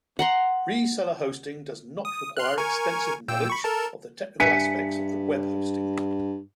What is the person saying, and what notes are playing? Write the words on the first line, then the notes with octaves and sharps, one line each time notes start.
Reseller hosting does not require extensive knowledge of the technical aspects of web hosting.
F#5 A#5 C6
D#6
C6 F6 F#6
A#4 G#5 C#6
A#2 G5 E6
B5 C#6
A4 A#4 A5
G2 B4 E5 G#5 B6 C#7